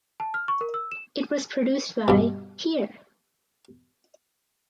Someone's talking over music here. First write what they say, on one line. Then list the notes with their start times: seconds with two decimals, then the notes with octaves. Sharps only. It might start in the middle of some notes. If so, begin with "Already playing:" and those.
It was produced by Here!
0.20 A5
0.34 F6
0.48 C#6
0.61 A#4
0.74 E6
0.92 E7
2.08 G2 B2